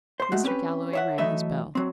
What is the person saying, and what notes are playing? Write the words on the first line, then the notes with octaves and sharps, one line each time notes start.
Mr. Galloway rang his bell.
C5 C6
G#3 A3 F#4
C4 C#4 G4 B4
C#5 E5 F#5
E3 F#3 A3 A4 D#5 E5
F#3 C4